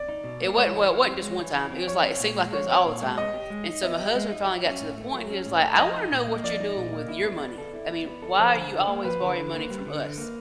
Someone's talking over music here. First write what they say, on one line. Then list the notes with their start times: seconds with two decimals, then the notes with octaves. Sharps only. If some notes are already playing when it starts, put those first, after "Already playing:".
it wasn't well, it wasn't just one time, it was like it seemed like it was all the time, and so my husband finally got to the point, and he was like, "I wanna know what you're doing with your money, I mean, why are you always borrowing money from us?"
Already playing: D5
0.09 D#4
0.24 B2
0.41 A#3
0.57 G#3 C#5
0.74 E3
0.90 E3
1.06 C4
1.22 G#3
1.39 E3
1.54 E3
1.72 C4
1.87 F3 C#5
2.03 C4
2.20 A#2
2.36 G#3
2.52 F3 C#5
2.69 C4
2.86 A#2
3.01 G#3
3.17 B3 D#5
3.34 G4
3.50 G#3
3.66 D#4
3.83 B3 E5
3.99 G4
4.15 G#3
4.32 D#4
4.47 F#3
4.65 C#4
4.81 A2
4.98 A3
5.13 F#3
5.30 C#4
5.46 A2
5.62 A3
5.78 F3 D#5
5.95 D#4
6.12 A#2
6.27 A#3
6.44 F3 D5
6.60 D#4
6.76 A#2
6.93 A#3
7.08 E4
7.25 B3
7.41 B3
7.58 A4
7.73 E4
7.90 B3
8.06 B3
8.22 A4
8.39 F3 C5
8.55 D3
8.72 D3
8.87 A#3
9.04 F3 B4
9.21 D3
9.37 D3
9.54 A#3
9.70 G3
9.86 D3
10.01 D3
10.18 A#3